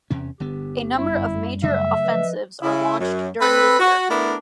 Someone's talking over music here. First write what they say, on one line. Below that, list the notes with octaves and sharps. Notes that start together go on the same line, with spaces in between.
A number of major offensives are launched during the year.
E2 C3 C#4
G1 D3 B3 G4
F#2 G3 E4
C#3 F#3 A3 E5
F3 B4 D#5
C#3 E4
F#2
C4 A4 B4
F#4
A3 B3 D4 E4 A#4